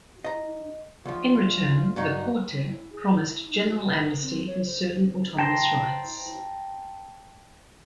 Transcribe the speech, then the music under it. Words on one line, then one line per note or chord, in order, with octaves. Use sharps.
In return the Porte promised general amnesty and certain autonomous rights.
D#5 A#5
D2 F3 F4
G2 F#3 D#4 F#4
E4
G#4
E4
D#4
F#4
B4
A#4
C4
C#5
C5
G5 A5 A#5 C6